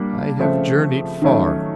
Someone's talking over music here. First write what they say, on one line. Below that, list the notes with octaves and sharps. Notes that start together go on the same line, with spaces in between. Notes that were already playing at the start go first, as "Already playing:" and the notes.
I have journeyed far.
Already playing: G3 A#3 D4
C#3 F3 A3 C4
D#3 F#3 A3 C#4